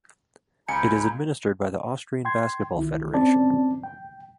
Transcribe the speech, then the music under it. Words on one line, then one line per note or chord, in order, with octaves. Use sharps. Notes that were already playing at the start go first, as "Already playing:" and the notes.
It is administered by the Austrian Basketball Federation.
C#2 G#5 A#5 B5 G6 C#7
G5 C6 G#6
C2 D#3 E4
C4 C#4 D5 A5
G5